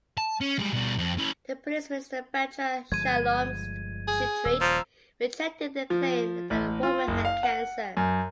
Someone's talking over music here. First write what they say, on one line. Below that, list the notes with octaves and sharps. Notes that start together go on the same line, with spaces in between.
The police minister Bechor-Shalom Sheetrit rejected the claim that the woman had cancer.
A5
C#4
G3 G#3
B2 G3
F2
C#4 E4
G1 F3 G#3 G#6 D#7
G#4
D#1 E6
F3 A#5
F3
A1
F4
F#1
F5
F#5
F#2